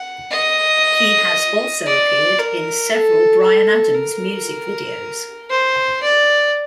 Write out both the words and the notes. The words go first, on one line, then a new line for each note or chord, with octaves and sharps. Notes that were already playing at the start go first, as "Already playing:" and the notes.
He has also appeared in several Bryan Adams music videos.
Already playing: F#5
D#5
D5
A#4
A4
A4
A#4
C5
D5